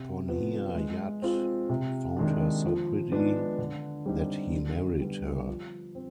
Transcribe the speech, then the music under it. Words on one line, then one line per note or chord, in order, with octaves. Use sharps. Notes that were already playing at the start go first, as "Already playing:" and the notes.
Ponhea Yat found her so pretty that he married her.
Already playing: C3
F3 B3
G#3
C4 F4 G#4
C3
D#3 G#3 D4
F3
G#3 B3 D4
D3
G3 C4 D#4 G4
D3
G3 B3
F3
C4